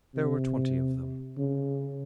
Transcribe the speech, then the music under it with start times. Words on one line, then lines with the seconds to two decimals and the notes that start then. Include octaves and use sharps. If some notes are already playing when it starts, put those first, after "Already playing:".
There were twenty of them.
0.15 C3
1.38 C#3